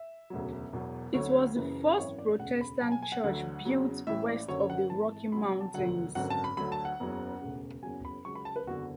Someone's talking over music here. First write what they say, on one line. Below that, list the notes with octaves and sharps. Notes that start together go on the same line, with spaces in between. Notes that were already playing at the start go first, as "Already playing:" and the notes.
It was the first Protestant church built west of the Rocky Mountains.
Already playing: E5
E1 D2 C#3 F#3
E1 E2 B2 F#3
D2 D3 F#3 C#5
F#1 F#2 C#3 E3 B4
G#1 F#2 E3 C#5
D5
E1 D2 C#3 F#5
B5
B1 B2 F#3 A5
G#5
G#5
F#5
D2 D3 F#3 F#5
E2 C#3 F#3
A1 A2 E3 E5
D5
F#1 F#2 D3 F#3 C#5
F#5
G#1 G#2 E3 A5
C#2 B2 F#3 B5
A5
E1 D2 D3 F#3 F#5
G#1 F#2 D3 F#3 F#5
A5
B5
D2 D3 F#3 B5
A5
F#5
F#1 E2 C#3 F#3
E1 D2 C#3
F#1 E2 C#3 F#3 G#5
B5
C#2 C#3 F#3 C#6
B5
A5
B4
F#1 E2 D3 F#4